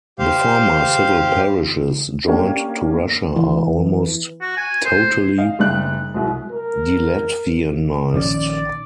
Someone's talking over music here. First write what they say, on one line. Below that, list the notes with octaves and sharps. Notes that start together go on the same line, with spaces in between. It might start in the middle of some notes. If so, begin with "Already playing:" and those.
The former civil parishes joined to Russia are almost totally delatvianized.
G4 C5 F5
A#3 C#4 D4 G4
E3
F#4
G#5
C5
D#5 F5
F#1 G3 D#4 F#6
C2 F#3 G#3
A#4
A#1 D#3 C#4 D5